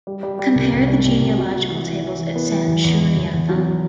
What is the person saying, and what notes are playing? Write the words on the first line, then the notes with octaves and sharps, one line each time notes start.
Compare the genealogical tables at Sanchuniathon.
G3
G3
G3
C2
C2
G3
C2
C2
F#4
F#4
E3
E3
E3
E3
B3
E3
E2
E2
E2
E2
E2
F#3